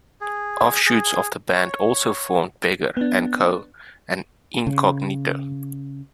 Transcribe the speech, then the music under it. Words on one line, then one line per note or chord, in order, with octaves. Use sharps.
Offshoots of the band also formed Beggar and Co and Incognito.
G#4
G#4
C#5
B3 D4
C#3